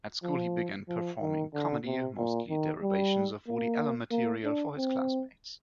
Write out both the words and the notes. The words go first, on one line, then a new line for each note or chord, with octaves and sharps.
At school he began performing comedy-mostly derivations of Woody Allen material-for his classmates.
F3
F3
D#3
D3
C3
A#2
D#3
G3
A#3
A#3
D4
C4